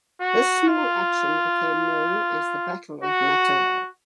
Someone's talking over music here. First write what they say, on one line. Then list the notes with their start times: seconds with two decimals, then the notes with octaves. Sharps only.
This small action became known as the Battle of Mataro.
0.21 F#4
0.68 F4
3.04 F#4